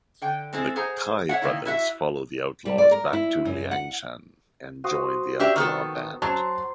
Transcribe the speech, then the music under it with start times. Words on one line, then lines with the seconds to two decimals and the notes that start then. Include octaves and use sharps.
The Cai brothers follow the outlaws back to Liangshan and join the outlaw band.
0.22 D3 G5
0.53 G#3 C4 E4 A4
0.76 G#4 C5 F#5 A#5
1.29 C#5 E5 F#5
1.42 A2 D3 D#3 A#3 E4
1.65 E4 F#4 E5
2.65 G3
2.78 D5
2.91 A#4
3.13 E4
3.45 F#2
3.71 F#5
4.84 F#4 C5 D#6
5.40 D4 G4 E5
5.56 D#3 B3 A4
6.22 F#3 C5 A5